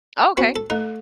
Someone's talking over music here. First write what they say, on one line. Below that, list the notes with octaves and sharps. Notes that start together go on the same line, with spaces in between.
Oh, okay.
B3 C4 F#4
A4
A3 D#4 A4